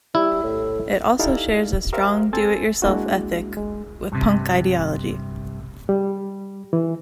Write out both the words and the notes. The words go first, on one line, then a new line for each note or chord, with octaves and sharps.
It also shares a strong do-it-yourself ethic with punk ideology.
G3 E4
A2
D#4 E4 G4 A4 D5 F5
G4 A#4 C5 E5 F5
C4 A4 C5 G#5 A6
G#3 A#3 D4 E4 F#4
G#3
G2 C3
G3
E3